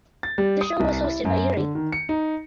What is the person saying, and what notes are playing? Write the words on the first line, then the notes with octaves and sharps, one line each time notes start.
The show was hosted by Yuri.
A6
G3
D#6
C2
E4
F#2
D3
D#3
C#7
D#4